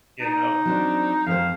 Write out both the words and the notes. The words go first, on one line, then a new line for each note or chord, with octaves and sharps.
You know?
D#4
F#3 C4 D4
F2 C5 F5